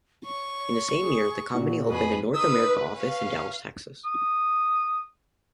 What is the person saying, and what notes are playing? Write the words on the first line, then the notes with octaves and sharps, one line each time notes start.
In the same year, the company opened a North America office in Dallas, Texas.
C#5 C#6
G#4
A#2 F#4
F2 G#4 B4
D#3 B4 D#6 E6
C#4 F5
D#6